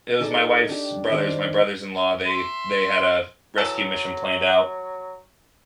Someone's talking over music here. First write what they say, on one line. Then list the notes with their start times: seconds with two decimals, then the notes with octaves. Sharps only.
it was my wife's brothers my brothers-in-law, they they had, uh, rescue mission planned out
0.20 D#4 G#4 A4 D5
0.69 D4 G4
1.10 D#3 D4 C5
2.24 E5 C6
3.58 E3 F#3 A4